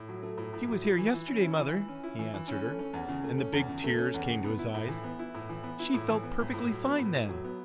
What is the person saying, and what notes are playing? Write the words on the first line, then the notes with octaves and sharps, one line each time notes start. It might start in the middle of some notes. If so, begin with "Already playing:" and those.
"She was here yesterday, Mother," he answered her, and the big tears came to his eyes "She felt perfectly fine then."
Already playing: A2
F#3
A3
A2
A2
F#3
E4
E3
E3
C#4
E4
E3
E3
C#4
E4
E3
E3
C#4
A3
C#4
E2
C#3
A3
C#4
E2
C#3
A3
C#4
E2
C#3
B3
E4
A2
E3
B3
E4
A2
E3
B3
E4
A2
E3
B3
A2
A2
F#3
B3
A2
A2
F#3
B3